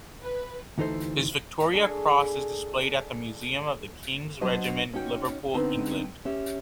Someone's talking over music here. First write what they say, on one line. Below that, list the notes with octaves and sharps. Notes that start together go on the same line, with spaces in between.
His Victoria Cross is displayed at the Museum of the King's Regiment, Liverpool, England.
B4
D2 E3 D#4 A4 C5
D4 G#4 A4 C#6
F#3 D4 F#4 C5 D#5
C#4 D#4 F#4 G5
D3 B3 C4 D#4
C#4 G4 E5